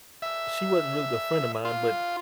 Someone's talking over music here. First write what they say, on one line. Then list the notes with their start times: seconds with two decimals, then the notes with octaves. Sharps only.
She wasn't really a friend of mine, but
0.22 E5
1.65 F4